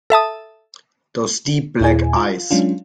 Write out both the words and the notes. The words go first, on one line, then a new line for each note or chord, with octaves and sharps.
Those deep black eyes!
A4 E5 A5 D#6
D#2 A#2 E4 G#4 G#5
F4
F#3 G#3 C#4 D4 F4